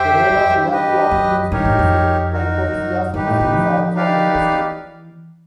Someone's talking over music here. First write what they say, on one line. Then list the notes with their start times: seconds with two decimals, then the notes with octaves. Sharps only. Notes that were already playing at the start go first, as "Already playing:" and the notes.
The role of reactive oxygen species in hypoxia sensing is also under question.
Already playing: F2 G4 C5 E5 G5
0.30 F#2
0.41 F2
0.50 F#2
0.61 G2
0.71 G4 B4 D#5
1.11 F#2
1.52 G2 D#4 G4 A#4 C#5
1.65 G#2
1.79 F2
2.33 D#4 F#4 A#4
2.73 F#2
3.14 G2 D#4 G4 B4
3.27 A2
3.41 B2
3.54 F3
3.94 D#4 G4 B4 D5 F5
4.35 E3